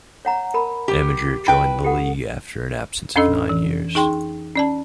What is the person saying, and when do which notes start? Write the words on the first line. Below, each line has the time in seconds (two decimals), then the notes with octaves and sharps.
Amager joined the league after an absence of nine years.
0.25 C#5 F#5 A#5
0.54 A#4 B5
0.88 G4
1.48 E4 B4 G5 D6
1.84 G4 A4 F#5
3.16 F2 C#4 D4 A4 D#5 E6
3.49 E3
3.95 D#4 G#4 G5 C6
4.56 C#4 D5 A5